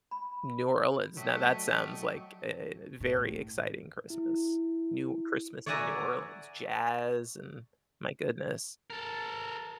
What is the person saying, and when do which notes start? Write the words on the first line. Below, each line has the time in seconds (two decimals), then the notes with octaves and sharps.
New Orleans, now that sounds like a very exciting Christmas. New Christmas in New Orleans, jazz and my goodness.
0.11 B5
1.17 F#3 A3 D5 D#5 G5 C#6 B6
3.00 A2
4.10 E4
5.66 C#5 D5 E5 F#5 G#5 A#5
8.90 A4 A#4